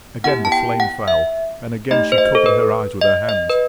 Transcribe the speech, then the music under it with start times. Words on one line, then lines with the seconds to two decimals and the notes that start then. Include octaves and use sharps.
Again the flame fell, and again she covered her eyes with her hands.
0.24 B3 E4 G4 F#5
0.45 A5
0.52 G5
0.80 F#5
1.08 E5
1.91 A3 D#4 G4 D#5
2.12 C5
2.18 D#5
2.35 A4
2.46 B4
3.01 D#5
3.29 D#5
3.50 B4